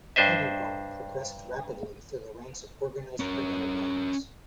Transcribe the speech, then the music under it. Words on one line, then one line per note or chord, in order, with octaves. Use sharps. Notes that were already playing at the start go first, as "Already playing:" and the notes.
Tannenbaum progressed rapidly through the ranks of organized criminal violence.
G2 D4 C5 D#5 E5
C#4 A#4